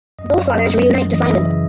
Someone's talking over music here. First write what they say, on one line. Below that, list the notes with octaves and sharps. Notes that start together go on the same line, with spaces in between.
Both fathers reunite to find him.
F#2 D#5
F#2
F#2 D#5
F#2
F#2
E3
D#5
E3 E5
C#3